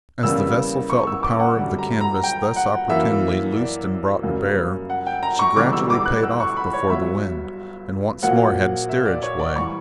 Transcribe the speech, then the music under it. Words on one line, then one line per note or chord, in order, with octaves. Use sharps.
As the vessel felt the power of the canvass thus opportunely loosed and brought to bear, she gradually paid off before the wind, and once more had steerage way.
E2 C#3 G3 A#3 E6
C#6
E6
D6
F#5
F#2 D3 G3
A#5
A#5
G5
F#5
F#2 E3 A#3 E5
D5
F#2 C#3 G3 A#3
F#5
G5
A#5
C#6
E1 E2 D3 G3 D6
E6
D6
F#6
E6
C#6
B5
C#5
G1 G2 F#3 E5
A#1 A#2 F#3 A#3 F#5
E5
D5
C#5
D5
E3 G3 C#6